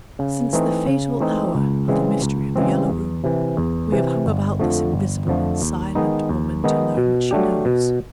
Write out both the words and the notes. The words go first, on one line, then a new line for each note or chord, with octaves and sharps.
Since the fatal hour of the mystery of The Yellow Room, we have hung about this invisible and silent woman to learn what she knows.
C#3
E3 A3 C4 D#4
C#3
E3 A3 C4 D#4
C#2
C#3 E3 G#3 C4
C#2
C#3 E3 G#3 C4
E2
C3 E3
E2
C3 E3
G1
F2 D3 F3 A3
G1
F2 D3 F3 A3
D#2
D#3 G#3 B3 D#4
D#2
D#3 G#3 B3 D#4
B2
F#3 A3 D4 G4
B2